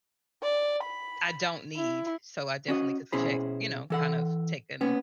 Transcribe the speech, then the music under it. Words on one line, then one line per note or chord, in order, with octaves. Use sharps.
I don't need. So, I definitely could check, you know? Kind of take an
D5
B5
E4
C#4 F#4 D#5
B2 C#4 E4 G#4 C5 B5
E3 A4 F#5
A#3 B3 C#4